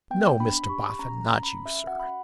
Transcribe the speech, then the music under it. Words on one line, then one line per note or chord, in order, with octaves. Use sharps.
'No, Mr Boffin, not you sir.
B3 G5
D4 B5
B5
G4 C#6
C#4 A#5
A#5
C#4
B5
C#4
E5
F#4 F#5
B5